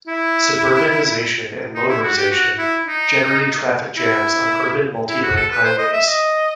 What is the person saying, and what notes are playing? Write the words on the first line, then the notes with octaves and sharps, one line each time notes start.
Suburbanization and motorization generated traffic jams on urban multi-lane highways.
E4
D#4
E4
F#4
G4
F#4
E4
D#4
E4
E4
F#4
A4
B4
C5
D#5
E5
D#5